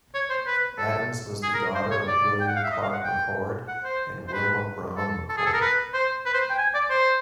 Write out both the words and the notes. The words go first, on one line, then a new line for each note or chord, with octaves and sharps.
Adams was the daughter of William Clark McCord and Wilmah Brown McCord.
C#5
C5
B4
A4
G#4
A#4
C5
C#5
D5
G5
F#5
F5
E5
D#5
F5
F#5
G5
F#5
C5
C5
B4
A4
A4
G#4
A4
A#4
B4
C5
B4
C5
G5
G#5
D5
C5